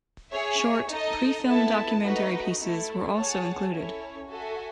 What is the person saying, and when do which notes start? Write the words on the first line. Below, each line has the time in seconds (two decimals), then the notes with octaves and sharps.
Short, pre-filmed documentary pieces were also included.
0.32 G#4 C#5 E5
0.89 D#4 A4 D#5
1.46 B3 E4 A4 E5 A5
2.02 A3 D#4 F#4 B4 D#5
2.59 A3 E4 A4
3.16 G#4 C#5 F#5 A5
3.72 C#4 E4 A4 C#5
4.29 F#4 A4 E5 G#5